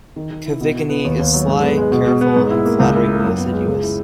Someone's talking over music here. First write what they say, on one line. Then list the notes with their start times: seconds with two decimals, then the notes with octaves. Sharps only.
Cavigini is sly, careful, and flatteringly assiduous.
0.16 D#3
0.31 D#3
0.46 E4
0.60 B2
0.75 F#4
0.89 B3
1.05 D#2
1.19 D#2
1.34 F#3
1.48 G#2
1.62 B3
1.78 G#3
1.92 B2
2.06 B2
2.21 B3
2.36 G#2
2.50 E4
2.66 A#3
2.80 C#2
2.94 E4
3.09 A#3
3.24 F#2
3.38 B3
3.52 G#3
3.68 C#2
3.82 E4